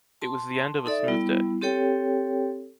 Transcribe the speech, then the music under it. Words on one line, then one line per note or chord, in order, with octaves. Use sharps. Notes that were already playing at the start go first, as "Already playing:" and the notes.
It was the end of a smooth day.
A5 C6
D#4 A4 D5 E5
G3 B3 E4
C4 G4 A4 C#5 G5